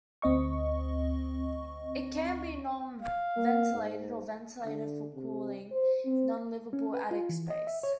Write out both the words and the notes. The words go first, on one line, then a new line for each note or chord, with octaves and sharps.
It can be non-ventilated or ventilated for cooling non livable attic space.
D2 C4 D#5 C#6
F5
A#3
G#2
D3
C3
C5
C4
C#4
B4
F4
E3
D#5
E5
C#5